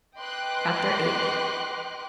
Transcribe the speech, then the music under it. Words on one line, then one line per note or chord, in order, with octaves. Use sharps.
Chapter VIII.
B4 D#5 G5 C6 D6 F#6